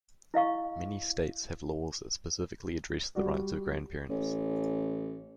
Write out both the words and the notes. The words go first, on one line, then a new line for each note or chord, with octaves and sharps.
Many states have laws that specifically address the rights of grandparents.
E4 D#5 F5 C#6
G3 F#4 D5
A1